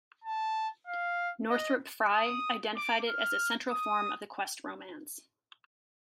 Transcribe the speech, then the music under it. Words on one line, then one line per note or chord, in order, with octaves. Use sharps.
Northrop Frye identified it as a central form of the quest romance.
A5
F5
D#5
D#6
D6
F6
D#6